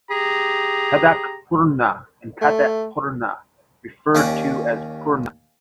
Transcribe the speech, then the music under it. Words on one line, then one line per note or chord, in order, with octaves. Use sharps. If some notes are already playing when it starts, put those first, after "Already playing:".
Khadakpurna, Katepurna, referred to as Purna.
G4 G#4 A#5
A3
D#2 C#4 G4 D5 A#5